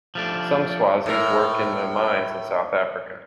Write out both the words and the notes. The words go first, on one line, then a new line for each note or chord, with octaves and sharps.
Some Swazis work in the mines in South Africa.
F3 A3 D4
A2 A#4